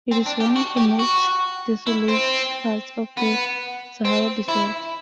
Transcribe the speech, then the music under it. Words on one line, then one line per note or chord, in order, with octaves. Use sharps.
It is one of the most desolate parts of the Sahara Desert.
C4
D4
G4
F#4
G4
F#4
E4
C4
B3
C4
E4